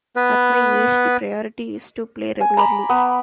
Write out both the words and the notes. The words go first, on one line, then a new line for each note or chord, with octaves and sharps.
At my age, the priority is to play regularly.
B3 B4
G#5
A#5 B5 D6
B3